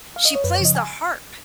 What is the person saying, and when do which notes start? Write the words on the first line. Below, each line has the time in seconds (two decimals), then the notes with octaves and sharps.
She plays the harp
0.16 F5
0.25 D#5
0.35 C#5
0.44 F#2 B4
0.55 C#5
0.60 C#3 F3 D#5
0.75 G#5